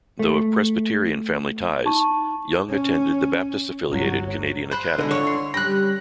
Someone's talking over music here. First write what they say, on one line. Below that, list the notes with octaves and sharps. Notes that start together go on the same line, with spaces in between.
Though of Presbyterian family ties, Young attended the Baptist-affiliated Canadian Academy.
A3
D#4 A5 C#6
C#4
G1 F#3
C5 B5 F#6
D3 G#3 E4 D#5
E4 F4 C#5
C6
G3 C#4 G4 B5 F#6 A#6